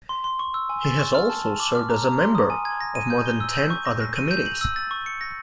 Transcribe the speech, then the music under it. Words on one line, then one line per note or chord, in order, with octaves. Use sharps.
He has also served as a member of more than ten other committees.
C6
C6
C#6
E6
G#5
A6
C#6
F6
A5
A5
D6
F6
A#5
A#5
C6
D#6
G#5
G#6
A#6
D#7
G6
G7
E6
G6
C#6
A#6
A#6
D#7
G6
F#7
E6
A6
C#6
C#7
A#6